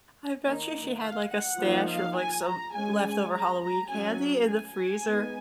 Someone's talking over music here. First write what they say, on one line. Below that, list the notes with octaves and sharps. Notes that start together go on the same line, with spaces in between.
I bet you she had, like, a stash of, like, some l leftover Halloween candy in the freezer.
D#3 A#3 D#4
F5
F#5
F3 A#3 D#4
F5
G#5
A#5
G#3 C#4 G#5
A#5
A#5
F#3 C#4 G#5
G#5
G#5
G#3 B3 D#4